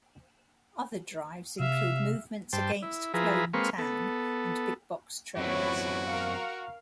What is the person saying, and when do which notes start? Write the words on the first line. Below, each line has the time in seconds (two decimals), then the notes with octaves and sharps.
Other drives include movements against Clone town and Big-box trends.
1.60 C3 E5 F5
2.53 G2 C5 G5 A5
2.82 E4
3.14 F3 E4 G#4 B4 A#5
3.53 G#3 A#3 C4 B4 F5 C#6
3.78 B3 A4
5.37 F#2 C4 D4 E4 F#4 B4 C#5
6.06 A#4 F5 C#6